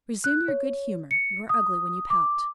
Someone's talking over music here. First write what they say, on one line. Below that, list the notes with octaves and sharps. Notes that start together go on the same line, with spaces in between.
"Resume your good-humor,--you are ugly when you pout."
F#6
C#5
C#7
D#6
D6